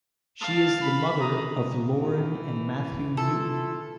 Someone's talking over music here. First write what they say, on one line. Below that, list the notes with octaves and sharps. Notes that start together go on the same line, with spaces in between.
She is the mother of Lauren and Matthew Newton.
F5 A5
B5
A#5 D#6
E3
E4 F4 A4